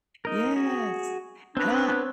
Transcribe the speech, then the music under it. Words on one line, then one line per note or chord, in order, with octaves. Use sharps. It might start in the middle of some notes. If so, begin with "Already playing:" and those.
Yes, and I
D#4 A#4
F#4 G#4
B3 C4 D4 B4 C#5